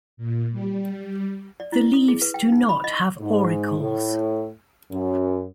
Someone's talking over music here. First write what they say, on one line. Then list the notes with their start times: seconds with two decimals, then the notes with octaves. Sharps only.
The leaves do not have auricles.
0.17 A#2
0.52 G3
1.60 D5
1.72 E4
1.94 D#6
2.08 G#4
2.22 B4
2.34 G5
2.52 D#4
2.69 B5
2.84 D#5
3.20 G#2
3.78 A2
4.91 F#2